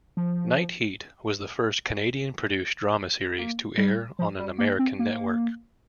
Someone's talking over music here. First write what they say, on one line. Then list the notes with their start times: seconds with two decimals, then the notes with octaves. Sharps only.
"Night Heat" was the first Canadian-produced drama series to air on an American network.
0.17 F3
3.38 A#3
3.78 G3
4.19 F3
4.39 G3
4.58 A#3
4.79 C4
4.99 A#3